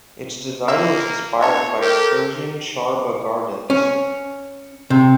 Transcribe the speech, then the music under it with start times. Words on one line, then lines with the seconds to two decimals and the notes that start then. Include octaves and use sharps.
Its design was inspired by persian Char Bagh Gardens.
0.68 A#3 E5
1.41 D3 C#5 E5 A5
1.81 G4 A4 A#4
3.70 C#4
4.90 C3